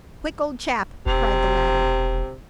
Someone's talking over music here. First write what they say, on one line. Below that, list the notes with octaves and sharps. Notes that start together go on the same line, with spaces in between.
"Quick, old chap!" cried the latter.
E1 C3